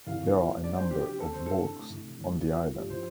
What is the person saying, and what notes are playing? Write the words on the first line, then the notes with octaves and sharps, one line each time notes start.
There are a number of walks on the island.
C2 F5
C2
F3
F3
D4 D5
D4 C5
D4 G4
C3 G4
C3 A4
G3 C5
D4 A4
C2
A3
C2
C3
C2
G3
F4
F4
G2
F3 C5